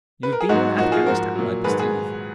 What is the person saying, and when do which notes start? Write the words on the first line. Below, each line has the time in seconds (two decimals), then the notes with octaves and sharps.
"You have been in Afghanistan, I perceive."
0.23 B4
0.33 A#4
0.41 G#4
0.49 G#2 F#3 D#4 F#4
0.77 A#2 F3 D#4 F#4
0.92 F4 G#4
1.06 G#2 F3 F#4 A#4
1.35 A#2 F#3
1.64 G#2 D#3 F#3 G#4 B4
1.79 G#4 B4